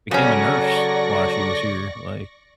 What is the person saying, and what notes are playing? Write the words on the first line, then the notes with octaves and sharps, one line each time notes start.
became a nurse while she was here, like
C#3 F#3 C#4 A4 D5 C#6 A#6